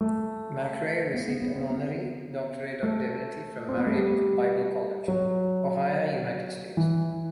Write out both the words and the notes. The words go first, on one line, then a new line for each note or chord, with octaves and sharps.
McCrea received an Honorary Doctorate of Divinity from Mariette Bible College, Ohio, United States.
A3
B3
B3
B3
C4
B3
A3
C4
B3
A3
G3
F#3
E3